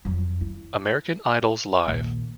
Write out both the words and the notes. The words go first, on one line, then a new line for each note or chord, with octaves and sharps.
American Idols Live!
F2 F#3
E4
A#1 D#2